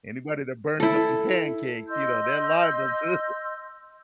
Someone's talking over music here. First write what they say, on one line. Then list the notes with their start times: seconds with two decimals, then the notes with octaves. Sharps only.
Anybody that burns up some pancakes, you know, they're liable too.
0.80 E4 A4
1.89 D#5 C6 E6 G6